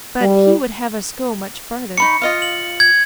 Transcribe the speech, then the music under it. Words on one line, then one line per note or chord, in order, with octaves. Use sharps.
But he would have us go much further.
G3
D#4 B5 C#6 C#7
F4 D#5 F5
F#7
G#6